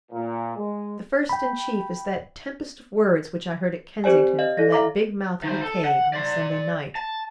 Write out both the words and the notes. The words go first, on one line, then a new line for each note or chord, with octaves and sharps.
The first--and chief--is that tempest of words which I heard at Kensington from that big-mouthed Mackay on the Sunday night.
A#2
G#3
G5 B5
C4 G4 C5 D5 G#5
D#5 F5
E4 A4 D5 A#6
E5 F5 A#5 D6
D#3 C5
A4
F#5
D5 C6
A5